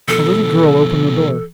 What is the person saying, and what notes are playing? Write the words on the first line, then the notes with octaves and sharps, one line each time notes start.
A little girl opened the door.
B2 F3 A4